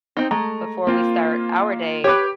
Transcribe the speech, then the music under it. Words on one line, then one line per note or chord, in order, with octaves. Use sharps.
before we start our day,
C4 D#4
G#3 A3 A#5
A#3 C4 F4
G4 B4 C#5 D6